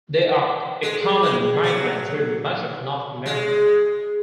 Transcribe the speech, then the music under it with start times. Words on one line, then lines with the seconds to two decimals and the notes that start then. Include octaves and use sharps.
They are a common migrant through much of North America.
0.83 G#3
1.23 G#3
1.64 F#3
3.26 G#3